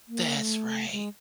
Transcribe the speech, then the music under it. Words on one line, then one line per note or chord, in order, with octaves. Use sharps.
That's right.
A#3
A3
G#3